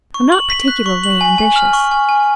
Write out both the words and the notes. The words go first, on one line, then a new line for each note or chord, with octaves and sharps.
I'm not particularly ambitious.
C#6
F#7
B6
F#6
C#6
F#7
G#5
G#5
F6
C#6
G#5
G#5